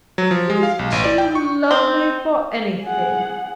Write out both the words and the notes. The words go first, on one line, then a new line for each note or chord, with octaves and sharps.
He's too lovely for anything!'
F#3
F3
G#3
F5
B1
A1
D5
G5
C#6
C4
G#4 F#5